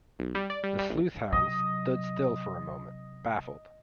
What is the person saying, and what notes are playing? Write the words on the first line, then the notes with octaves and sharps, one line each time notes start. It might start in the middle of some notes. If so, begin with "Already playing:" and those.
The sleuth-hound stood still for a moment, baffled.
B1
G3
D5
G3
G3
A#1
C3 F#3 D#5